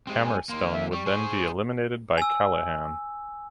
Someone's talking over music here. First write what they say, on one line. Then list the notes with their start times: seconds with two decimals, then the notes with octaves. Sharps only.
Hammerstone would then be eliminated by Callihan.
0.07 G#3 C4 G4
0.23 G#5
0.49 D#2 A#3 C6
0.72 E5
0.92 G3 C#6
1.06 G#4 C5
2.18 G#5 E6